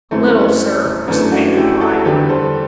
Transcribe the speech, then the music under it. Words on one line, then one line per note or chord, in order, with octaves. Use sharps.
"A little, sir," was the faint reply.
F#2 E3 A3 C4
F#2 E3 A3 B3 D4
D4 F#4
E4 G4
F#4 A4
E2 D3 G3 G4 B4
A4 C5